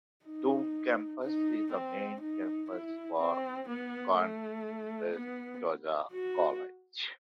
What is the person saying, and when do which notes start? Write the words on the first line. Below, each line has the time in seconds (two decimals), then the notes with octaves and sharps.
Doon Campus is the main campus for Conestoga College.
0.25 D#4
1.22 D#4
1.72 C4
2.20 D#4
2.69 E4
3.19 C4
3.68 B3
4.17 A3
5.14 B3
6.12 F#4